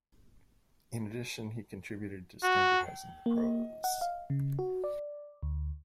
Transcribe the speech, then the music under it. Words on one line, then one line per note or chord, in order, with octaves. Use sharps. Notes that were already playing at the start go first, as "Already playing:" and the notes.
In addition, he contributed to standardizing the prose.
F#4
A#3
F#5
F5
C#3
F#4
D5
D2